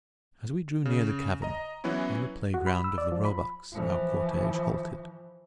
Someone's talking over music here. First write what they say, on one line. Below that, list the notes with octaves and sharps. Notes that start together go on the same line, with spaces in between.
As we drew near the cavern, on the playground of the roebucks, our cortege halted.
C#3
D#5 A#5
E3 F#3 B3 C#4 E4
F#4
B5
E6
D5
F3
B5
E3 F3